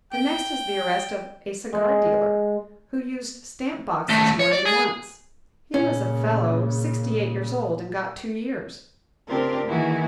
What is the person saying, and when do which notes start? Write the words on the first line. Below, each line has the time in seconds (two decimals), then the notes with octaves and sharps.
The next is the arrest of a cigar dealer, who used stamped boxes more than once. He was a fellow sixty-eight years old and got two years.
0.12 G5
1.73 G#3
4.09 D#2 A3
4.39 C#5
4.53 D5
4.65 G#4
5.74 A#2 C#3 C#4
9.28 C#3 C4 D4 F4 G4 A#4
9.67 D#3 E3 A#3 E4 F#4 G#4